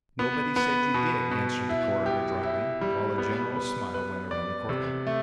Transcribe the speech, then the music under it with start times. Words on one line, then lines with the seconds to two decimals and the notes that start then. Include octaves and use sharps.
"Nobody said you did," answered the coroner dryly, while a general smile went around the courtroom.
0.19 B3
0.56 B3
0.94 B2
1.31 B2
1.69 E4
2.06 G4
2.43 E4
2.81 G3
3.18 B3
3.56 B4
3.94 B4
4.31 D5
4.69 C3
5.07 A3